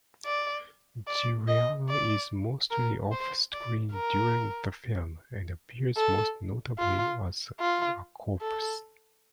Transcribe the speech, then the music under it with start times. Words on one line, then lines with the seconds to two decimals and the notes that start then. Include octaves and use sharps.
Giuliano is mostly off-screen during the film and appears most notably as a corpse.
0.26 D5
1.08 D5
1.48 D#5
1.89 D5
2.71 A#4
3.12 C5
3.53 D5
3.93 A#4
5.97 A4
6.79 F4
7.60 F4
8.41 A4